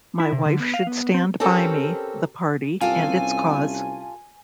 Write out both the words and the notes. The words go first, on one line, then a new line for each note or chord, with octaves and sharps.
My wife should stand by me, the party and its cause.
E4
C3
D3
B3
F5
B3
C4
C4 C#4 G4 A4 A#4
C2 C3 C#4 F4 G4 A4 G#5